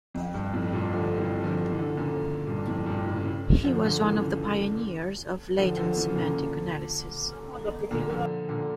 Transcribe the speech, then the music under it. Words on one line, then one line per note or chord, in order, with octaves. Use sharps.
He was one of the pioneers of Latent semantic analysis.
F2
G2
F2 A2
G2 A#2
D3 F3
E3 G3
D3 F3
E3
D3
C#3
A#2 D3
G2 A#2
F2 A2
G2 A#2
A2 C#3
A2 C#3
D3 F3
A#2 D3
C#3 E3
D3 F3
D3 F3
C#3 E3
C#3
A#2 D3
A#2 D3
D3 F3
A#2 D3